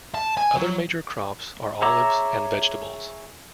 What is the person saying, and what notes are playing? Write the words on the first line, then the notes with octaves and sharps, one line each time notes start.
Other major crops are olives and vegetables.
A5
G#5
F#3
G#4 C#5 E5 A#5 D6